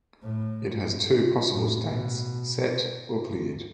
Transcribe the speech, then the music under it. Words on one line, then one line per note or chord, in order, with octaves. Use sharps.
It has two possible states, "set" or "cleared".
A2
A2
B2